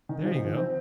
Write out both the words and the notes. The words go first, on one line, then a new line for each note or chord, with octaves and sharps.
There you go.
D#3
F3
D#3
F3
C4